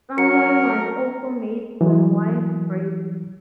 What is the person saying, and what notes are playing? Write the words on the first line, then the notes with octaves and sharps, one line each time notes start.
Some wine was also made from wild grapes.
F#3 A#4 C#7
E3 F#3